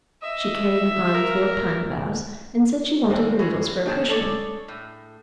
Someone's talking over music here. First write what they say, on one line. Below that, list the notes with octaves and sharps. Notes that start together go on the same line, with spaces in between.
She carried an armful of pine boughs and said she wanted the needles for a cushion.
D#5 E5
A#4
G#1 C3 D5
E4 F#4 G#4
D#3 D4 G#4 C5 A5
A4 C#5 D5
A2